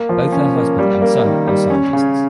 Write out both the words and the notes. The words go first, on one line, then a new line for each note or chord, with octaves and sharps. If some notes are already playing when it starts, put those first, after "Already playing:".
Both her husband and son are scientists.
Already playing: A#3
F3
C#4
A#3
G3
A#3
D#3
G3
C#4
C#3